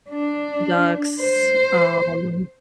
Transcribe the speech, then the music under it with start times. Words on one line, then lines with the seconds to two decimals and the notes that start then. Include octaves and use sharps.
ducks, um,
0.11 D4
1.20 C5